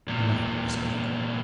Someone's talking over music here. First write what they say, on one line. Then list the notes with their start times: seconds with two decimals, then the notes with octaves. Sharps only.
The night was bitter cold.
0.08 E2 A#2